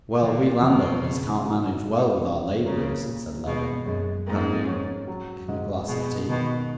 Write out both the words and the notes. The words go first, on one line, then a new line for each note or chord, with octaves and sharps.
"Well, we landowners can't manage well with our laborers," said Levin, handing him a glass of tea.
E2 A#2
E2 B2
C#3
F#3
G#3
C#4
C#3 A#3
A#2
B2 G#3
F#2 G#3
G#2 A#3
C#4
F#3
G#2
B2 G#4
B2 D#3